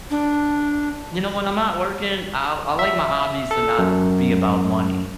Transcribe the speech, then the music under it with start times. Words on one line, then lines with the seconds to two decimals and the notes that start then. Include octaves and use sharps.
you know, when I'm not working, I I like my hobbies to not be about money.
0.11 D4
2.79 E5
3.51 A4
3.79 F#2